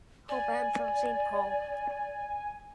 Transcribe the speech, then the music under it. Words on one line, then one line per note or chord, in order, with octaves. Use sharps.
Hoban from Saint Paul.
D5 G#5